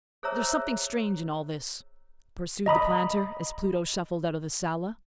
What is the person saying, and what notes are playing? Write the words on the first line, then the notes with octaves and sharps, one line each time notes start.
"There's something strange in all this," pursued the planter, as Pluto shuffled out of the sala.
G#4 C5 C#5 E5 A#5 E6
D#5 A#5 B5 D#6